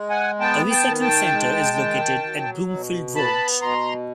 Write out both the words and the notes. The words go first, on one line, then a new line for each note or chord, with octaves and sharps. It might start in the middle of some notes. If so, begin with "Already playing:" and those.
A recycling centre is located at Broomfield Road.
Already playing: G#3
F#5 G#5
B3 G5 A5
G5 A5
D#3
G5 A5
G#3
D#3
F#3
B2
B3 A5 B5
B2 A#5 C6